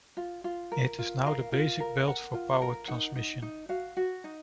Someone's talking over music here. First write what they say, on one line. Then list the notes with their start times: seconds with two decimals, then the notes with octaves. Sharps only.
It is now the basic belt for power transmission.
0.17 F4
0.44 F4
0.72 A#4
0.98 F4
1.26 A#4 F5
1.52 F4
1.80 A#4
2.07 A#4 F#5
2.34 F4
2.62 A#4
2.88 D#4 F#5
3.16 D#4
3.42 D#4
3.69 F#4 F5
3.97 F#4
4.24 D#4